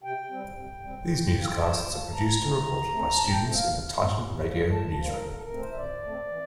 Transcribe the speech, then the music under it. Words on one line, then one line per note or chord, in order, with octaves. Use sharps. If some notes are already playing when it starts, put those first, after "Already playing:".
These newscasts are produced and reported by students in the Titan Radio newsroom.
C3 G5
G3 C4
C3
G3 C4
C3
F3 A#3
C3 A5
F3 A#3
E3 A#5
A3 C4
E3
A3 C4
A#2 A5
G5
A3 C4
F5
A#2
A3 C4
C3
G3 A#3
C3 A5
G3 A#3 C5
A#4
D3 A4
A4
A#4
A3 C4
C5
E5
D3 D5
A3 C4
E3